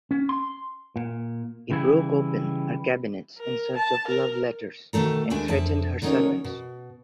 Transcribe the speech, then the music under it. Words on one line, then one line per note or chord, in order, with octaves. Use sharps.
He broke open her cabinets in search of love letters and threatened her servants.
C#4
C6
A#2
C#3 E3 G3 E4
A#4
A5
A#4
B2 D#3 A3 A4 A#5
D#2 G#3 A3 D4 E5 G#5
F2 D3 E5 A5
D3 F#3 C#4 D#4 A#4 C#5
B2